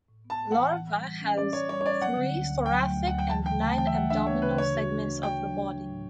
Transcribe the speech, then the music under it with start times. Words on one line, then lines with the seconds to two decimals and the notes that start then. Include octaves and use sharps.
Larva has three thoracic and nine abdominal segments of the body.
0.09 A2
0.25 B3
0.30 A5
0.41 A2
0.52 F#5
0.57 E3
0.73 E3
0.88 G3
1.05 E3
1.21 C#4
1.37 C#4 D5
1.53 C#4 C#5
1.69 G3 C#5
1.81 C#5
1.86 C#4 D5
2.02 F#3 F#5
2.17 D3
2.33 D2
2.49 D2
2.65 F#3 G5
2.82 A3
2.97 D2
3.07 F#5
3.14 F#3 G5
3.29 E3 A5
3.46 C#3 G5
3.62 A3 A5
3.78 E3 G5
3.87 E5
3.94 A3 F#5
4.10 D4 E5
4.26 A3 C#5
4.42 C#3 B4
4.58 A3 C#5
4.75 F#4
4.90 D4
5.07 A3
5.23 F#4 G5
5.39 D4
5.54 D4
5.71 F#3
5.87 A2